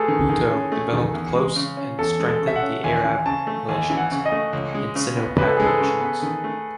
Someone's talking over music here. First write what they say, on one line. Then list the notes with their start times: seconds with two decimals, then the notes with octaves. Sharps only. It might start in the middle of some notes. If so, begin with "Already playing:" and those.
Bhutto developed close and strengthened the Arab relations, and Sino-Pak relations.
Already playing: A3 G#4 A4 B4
0.08 D#3
0.29 D#3 G#4
0.51 C#4
0.72 A3
0.92 D#3
1.14 E2
1.35 G#3
1.56 C#3
1.77 C#4
1.99 E2 A4
2.20 G#3
2.27 A4
2.41 C#3
2.47 E5
2.56 F#5
2.62 C#4
2.83 D#2 G#5
3.05 E3
3.26 C#3 A5
3.47 A3
3.68 D#2 G#5
3.90 E3
3.97 F#5
4.11 C#3
4.25 D#5
4.32 A3
4.53 C#2
4.74 G#3
4.95 C#3
5.17 B3
5.38 C#2 B4
5.47 A4
5.57 G#3 G#4
5.66 A4
5.80 C#3
6.01 B3
6.22 D#3
6.44 A3